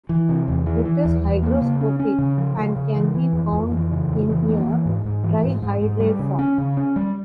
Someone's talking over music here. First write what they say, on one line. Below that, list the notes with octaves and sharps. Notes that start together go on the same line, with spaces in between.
It is hygroscopic, and can be found in a trihydrate form.
E3
C3
E2
E3
E3
E2
E2
A#3
C#3
C#4
C#4
C#3
F3
C#3
C#3
E3
E3
F2
F2
E3
C#3
F2
E3
A#3
E3
G#2
G#2
E3
G#2
G#2
G#2
G3
C#3
C#4
C#3
C#4
G3